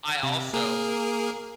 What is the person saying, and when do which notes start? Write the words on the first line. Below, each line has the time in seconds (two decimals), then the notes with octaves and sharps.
I also
0.23 C3
0.53 A#3 G#4 A#4